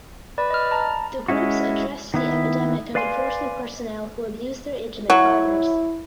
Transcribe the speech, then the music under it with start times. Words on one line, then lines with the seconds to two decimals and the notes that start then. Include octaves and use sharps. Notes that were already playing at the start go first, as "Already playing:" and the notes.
The groups addressed the epidemic of enforcement personnel who abuse their intimate partners.
0.38 B4 D5
0.50 D#5 F6
0.71 A5 A#5 A6
1.28 G#3 C#4 E4 F#4
2.14 D#3 B3 E4
2.95 B4 D5 F5 G#5 C6
5.10 F#3 E4